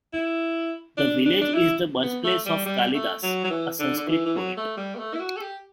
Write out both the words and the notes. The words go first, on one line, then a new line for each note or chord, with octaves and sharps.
The village is the birthplace of Kalidas, a Sanskrit poet.
E4
D4
D4
D4
E4
B3
A3
G3
G3
A3
F#3
F#3
E3
D3
D3
E3
E3
F#3
A3
G3
B3
A3
E4
F#4
A4
G4